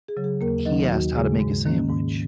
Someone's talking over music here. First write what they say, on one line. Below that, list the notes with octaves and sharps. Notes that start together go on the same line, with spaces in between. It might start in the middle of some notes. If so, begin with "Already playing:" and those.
he asked how to make a sandwich.
G#4
C#3 F#3
G#4
D#2 A#3 A#4
D#3 F#3 D#4 D#5
D#2 F#4
C#3 G#3 G#4
G#2
D#3 A#3 C#4
G#2